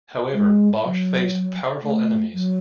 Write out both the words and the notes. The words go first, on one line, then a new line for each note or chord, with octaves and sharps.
However, Bosch faced powerful enemies.
G#3
F#3
A3
F#3